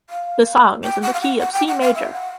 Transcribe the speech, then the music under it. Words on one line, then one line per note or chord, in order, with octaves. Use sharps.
The song is in the key of C major.
F5
G5
F#5
F5
F#5
F#5
G5
F#5
F5
E5
F#5